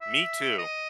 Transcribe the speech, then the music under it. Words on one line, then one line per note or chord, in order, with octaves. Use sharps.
Me too.
E5
D#5